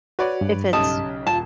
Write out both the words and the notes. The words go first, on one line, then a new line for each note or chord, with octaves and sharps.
if it's
F#4 B4 C#5 D5
G2
B1 C#3 G4 D#5 A5
D#1 F4 A5